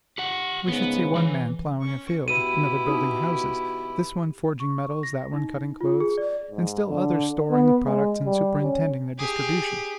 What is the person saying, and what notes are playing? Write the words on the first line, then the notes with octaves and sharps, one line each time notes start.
We should see one man plowing a field, another building houses; this one forging metals, that one cutting clothes; and still others storing the products, and superintending their distribution.
G4 F#5
G#2 C#3 B3 B4
E3
C#4 C#6
B2 E4 G4 D#7
D#4 D#6
C#6
A#6
D#4
F4
G#4
D5
G#2
D3
B3
G#3
G3
C#4
G4 G#4